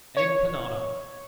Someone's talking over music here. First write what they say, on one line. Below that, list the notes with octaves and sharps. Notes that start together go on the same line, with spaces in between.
Egg Panada.
C#5